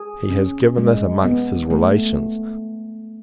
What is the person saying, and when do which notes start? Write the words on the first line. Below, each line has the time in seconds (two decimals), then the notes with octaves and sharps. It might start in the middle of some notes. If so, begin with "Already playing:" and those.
He has given it amongst his relations.
Already playing: G#4
0.30 C#4
0.78 G#3
1.24 B3
1.70 A3